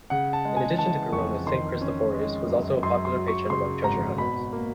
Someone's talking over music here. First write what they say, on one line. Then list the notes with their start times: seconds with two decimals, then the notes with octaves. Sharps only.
In addition to Corona, Saint Christophorus was also a popular patron among treasure hunters.
0.10 C#3 F#5
0.33 A5
0.45 G#3
0.57 G#5
0.78 E3 A5
1.12 F2 C#6
1.46 D#3 C6
1.81 C#4
2.14 G#3
2.49 F#2
2.83 F#2 C6
3.05 C6
3.17 F#3
3.28 C#6
3.50 C#3 C6
3.84 G#1 A#5
4.18 B2 B5
4.53 A#3